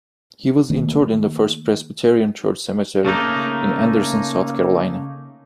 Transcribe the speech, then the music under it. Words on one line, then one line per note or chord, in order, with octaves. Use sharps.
He was interred in the First Presbyterian Church Cemetery in Anderson, South Carolina.
D#3 A3 A#3
C#3 A3 A#3 D#4